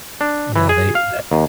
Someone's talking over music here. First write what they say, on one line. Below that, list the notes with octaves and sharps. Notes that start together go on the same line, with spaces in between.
Yeah, they tha
D4
E3
G#4
F5
D#2